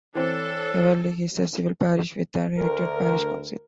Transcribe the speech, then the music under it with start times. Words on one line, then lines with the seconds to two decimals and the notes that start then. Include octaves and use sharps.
Everleigh is a civil parish with an elected parish council.
0.15 E3 C4 D4 A4 C#5
2.58 D2 A#4